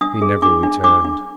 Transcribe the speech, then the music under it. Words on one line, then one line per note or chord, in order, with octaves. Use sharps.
He never returned.
D4 D#6
G#4
D4 D6
D4
D4 D6
D4